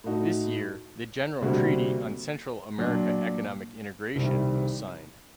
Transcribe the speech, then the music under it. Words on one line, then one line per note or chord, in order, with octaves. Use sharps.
This year the General Treaty on Central America Economic Integration was signed.
A2 A3 D#4 F#4
D2 C3 G3 A#3 F#4
A#2 F#3 A#3 D4
C2 C3 D#3 G3